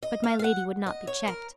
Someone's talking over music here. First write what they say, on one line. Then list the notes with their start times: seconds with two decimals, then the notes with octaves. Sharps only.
But my Lady would not be checked.
0.03 D#5
0.24 F5
0.39 F5
0.44 F#5
0.86 D#5
1.07 C#5
1.27 A#4